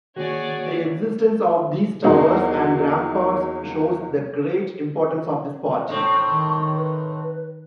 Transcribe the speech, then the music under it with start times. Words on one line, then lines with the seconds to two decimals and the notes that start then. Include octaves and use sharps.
The existence of these towers and ramparts shows the great importance of this part.
0.16 D#3 A#3 F#4 G#4 C#5 D5
2.04 E2 A#3 D#4 F#4 G#4
5.88 A2 C4 C#6
6.27 D#3
6.75 B4